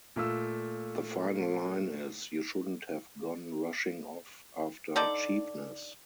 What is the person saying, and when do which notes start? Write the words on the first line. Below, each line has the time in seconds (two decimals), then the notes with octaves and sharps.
The final line is, You shouldn't have gone rushing off after cheapness.
0.16 A#2 A3 F4 E6
4.96 D3 D#4 A4 D5